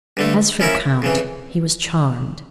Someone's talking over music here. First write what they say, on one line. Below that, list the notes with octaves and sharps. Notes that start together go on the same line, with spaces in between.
As for the Count, he was charmed.
G2 D3 A3
F3 C#4 E4 A#4 E5
F2 C#3 E3